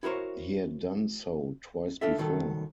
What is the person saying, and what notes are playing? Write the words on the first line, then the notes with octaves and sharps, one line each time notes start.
He had done so twice before.
E4 F#4 A#4 C5 C#5
D4 F4 A4 E5
C2 D#3 F#3 A4